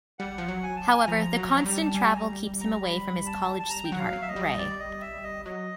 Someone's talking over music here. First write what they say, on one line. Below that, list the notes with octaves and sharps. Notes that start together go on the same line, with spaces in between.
However, the constant travel keeps him away from his college sweetheart, Rae.
G3 F#5
F3
F#3
G#5
A5
G#5
F3 A#5
F#3
F3
F#3
G3 A#5
A5
G3 G#5
A#5
A#5
B5
A5
A5
A#5
G5
F#3 F#5
F5
F#3
E5
D#5
G3
D5
D#5
E5
D#5
F#3 D#5